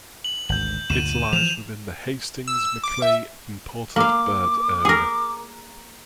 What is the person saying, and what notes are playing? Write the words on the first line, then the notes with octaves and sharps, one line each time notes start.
It lies within the Hastings-Macleay Important Bird Area.
F#7
G#1 D2 G6 F#7
D2 G2 A#2 D#7 E7
E3 F3 E7 F7
E6
D6
E5
A#3 F5 D6
G#4 A#4